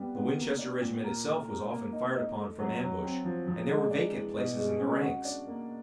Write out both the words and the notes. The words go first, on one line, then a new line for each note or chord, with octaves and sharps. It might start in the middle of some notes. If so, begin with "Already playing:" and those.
The Winchester regiment itself was often fired upon from ambush, and there were vacant places in the ranks.
Already playing: G3 B3
B3
A#3
D4
A#2
A#4
A3
A#4
A#3
D#4
D#4
A3
F#3
F#3
C4
F3
F3
G#3
D4
E3
B2
G#3
C#4
F#4
D4
A#3